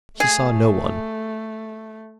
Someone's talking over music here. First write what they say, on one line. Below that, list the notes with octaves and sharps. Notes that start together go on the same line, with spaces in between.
He saw no one.
A3 G#4